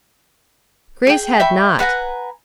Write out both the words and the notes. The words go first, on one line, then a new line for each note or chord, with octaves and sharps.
Grace had not.
G#4 G5
E5 G5 B5 C#6
B4 F#5 G#5 A#5